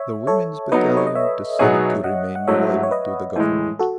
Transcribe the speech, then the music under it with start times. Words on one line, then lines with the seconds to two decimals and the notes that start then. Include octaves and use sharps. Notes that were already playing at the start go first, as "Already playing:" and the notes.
"The Women's Battalion decided to remain loyal to the Government."
Already playing: C#5 E5
0.27 A4 C#5
0.72 F#3 B3 D#4 B4 D#5
0.97 C#5
1.07 D#5
1.15 C#5 E5
1.59 B2 F#3 B3 D#4 G#4 C#5 E5
2.04 D#5 F#5
2.35 F#5
2.47 G#2 F#3 A3 E4 C#5 E5
2.83 C#5
2.91 B4 D#5
3.36 A2 E3 G#3
3.79 F#4 A4